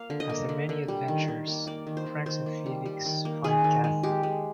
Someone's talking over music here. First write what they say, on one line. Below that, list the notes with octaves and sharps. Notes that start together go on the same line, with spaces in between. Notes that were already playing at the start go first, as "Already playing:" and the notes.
After many adventures, Franx and Felix find Kathy.
Already playing: A#3 F5
D3
D#5
A#3
D3
D3
G3
D#3
D#3
A#3
A#3 D5
D#3
C5
D#3
D#3 C5
A#3
G3
G3
D#3
A#3
D#3 G#4
D#3
G#3
G#3 G4
G#3